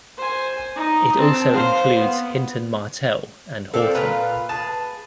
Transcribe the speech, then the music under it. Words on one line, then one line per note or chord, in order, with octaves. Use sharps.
It also includes Hinton Martell and Horton.
C5 G#5
D#4 D#6
C4 A5
C5 F5
B3
C4 F4 A4 D5
A#2 F4 B4
G#4 A5